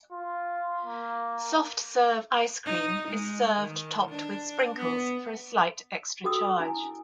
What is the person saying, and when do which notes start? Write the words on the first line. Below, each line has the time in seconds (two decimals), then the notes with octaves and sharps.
Soft serve ice cream is served topped with sprinkles for a slight extra charge.
0.13 F4
0.86 A#3
2.66 D#4
3.08 G#3
3.59 D#3
4.09 D4
4.77 B3
6.24 F#4 A4 G5 D#6 E6
6.60 E4 G#5